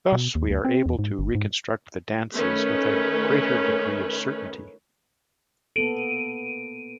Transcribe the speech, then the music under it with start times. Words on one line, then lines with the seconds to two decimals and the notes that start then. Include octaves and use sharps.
Thus we are able to reconstruct the dances with a greater degree of certainty.
0.12 B2
0.35 D#2
0.50 D2
0.65 C4
0.86 E2
0.99 G#2
1.19 G1
1.35 G#2
2.35 D#3 A3 C#4 B4
5.76 A#3 B3 A4 D7 D#7